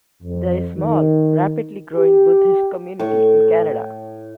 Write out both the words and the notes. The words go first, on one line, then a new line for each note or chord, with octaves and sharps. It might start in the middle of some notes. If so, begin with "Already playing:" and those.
There is a small, rapidly growing Buddhist community in Canada.
F2
D#3
G4
A2 C#6